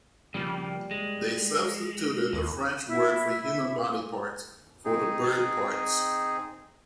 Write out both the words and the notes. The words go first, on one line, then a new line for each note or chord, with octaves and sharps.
They substituted the French word for human body parts for the bird parts.
C#3 F3 G3 A#3
G#3
D#2
E4 E5
C4 D#4 G#4